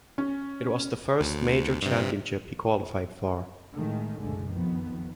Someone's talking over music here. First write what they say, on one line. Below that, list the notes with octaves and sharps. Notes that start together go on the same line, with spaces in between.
It was the first major championship he qualified for.
C#4
D2
G2 C3
A2 D#3 G#3 A3
F#1 B1 A2 D3 G#3 A3
F2 D#3 F3 B3